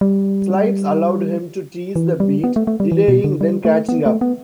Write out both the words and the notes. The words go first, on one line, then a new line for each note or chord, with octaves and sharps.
Slides allowed him to tease the beat, delaying then catching up.
G3
E3
G3
B3
A3
A3
G3
E3
B2
D3
G3
A3
B3
A3
B3